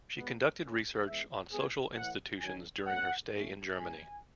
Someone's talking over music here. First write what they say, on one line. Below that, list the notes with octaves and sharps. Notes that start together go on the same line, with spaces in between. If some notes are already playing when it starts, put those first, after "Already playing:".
She conducted research on social institutions during her stay in Germany.
B2 G#3 B3
D#3 A3 C#4
E3 G#3 B3 E5
E3 G#3 B3 G#4
A2 E3 A3 F#5
D#3 F#3 C#4 G#5
B2 A3 C#4 F#5
B2 A3 C#4
A2 G#3 C#4 G#5